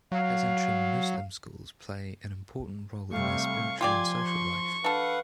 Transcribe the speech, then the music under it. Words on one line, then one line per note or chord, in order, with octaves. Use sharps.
Pesantren Muslim schools play an important role in their spiritual and social life.
F#3 F5
C3 G3 A3 F5 C#6
F3 F4 G4 D5 G#5 C6 G#6
C#6
D4 A4 B4 F5 F#5